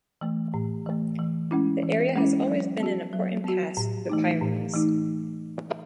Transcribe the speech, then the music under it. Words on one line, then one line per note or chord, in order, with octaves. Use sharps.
The area has always been an important pass through the Pyrenees.
E3 A3
A2
E3 A3
E3
G#3 C#4 E4
E3
G#3 C#4 E4
F#3
B3 F#4
F#3
B3 F#4
A2
E3 A3 D#4
A2
E3 A3 D#4